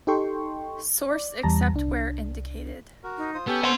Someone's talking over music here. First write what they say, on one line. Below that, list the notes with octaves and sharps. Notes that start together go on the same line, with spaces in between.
Source except where indicated.
D#4 G4 A4 G5 C6 C#6
D5
E2 G3 A5 A#5 A#6
C2 D4
F#4 A#4
D#4
F4 C5 D#6
B3 C#4 G4 A4
C5 F#5 C6